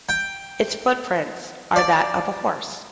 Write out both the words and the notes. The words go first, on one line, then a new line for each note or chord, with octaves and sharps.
Its footprints are that of a horse.
G5
D5